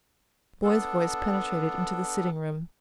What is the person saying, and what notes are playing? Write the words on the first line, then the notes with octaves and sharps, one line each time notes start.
A boy's voice penetrated into the sitting-room.
B3 D4 A4